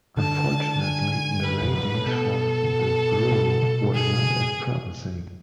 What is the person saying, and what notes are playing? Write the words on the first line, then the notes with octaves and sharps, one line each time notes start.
Unfortunately, the ratings for "The Brew" were not as promising.
D3 A5
G#5
B4
F2
F#2
G#2
A2
B2 A4
B2
G#4